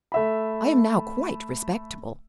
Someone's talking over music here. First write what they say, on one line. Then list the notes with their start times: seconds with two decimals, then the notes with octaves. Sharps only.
"I am now quite respectable."
0.12 A3 E5 B5